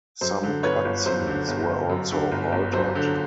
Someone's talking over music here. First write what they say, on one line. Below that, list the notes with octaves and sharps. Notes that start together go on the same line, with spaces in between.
Some cutscenes were also altered.
F#2 C5
D3
G1 B4 C#5
G1
F#2 C5
D3
G1
G1
F#2
D3
G1
G1
F#2 C5
D3